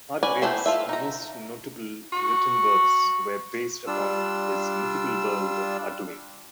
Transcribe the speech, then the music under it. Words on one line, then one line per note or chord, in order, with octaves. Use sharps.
Hargrave's most notable written works were based upon his own mythical world of Arduin.
C#4 B4 D5 G#5
A3 B3 E4 C5 G5
F4 A4 E5
D#4 A#5
F#4
G3 D4 F4 E6